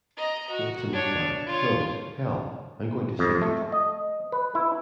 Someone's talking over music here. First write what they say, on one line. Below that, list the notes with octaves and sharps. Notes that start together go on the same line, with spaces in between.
Watson replied, Close, hell, I'm going to sink it.
D#5 A#5
F#4
D4 C#5
F4 C#5
F2
A3
D#5
B4
E4